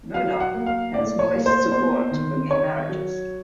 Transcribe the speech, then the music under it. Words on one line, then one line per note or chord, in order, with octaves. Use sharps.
Murdoch has voiced support for gay marriages.
F#3 F5
F#5
A#3
F5
A2 D5
C#5
A#3
C5
B3 C5
D#3
D#3 C#5
F#3